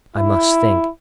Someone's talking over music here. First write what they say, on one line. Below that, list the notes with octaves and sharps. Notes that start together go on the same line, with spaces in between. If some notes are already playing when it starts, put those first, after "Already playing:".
I must think.
E4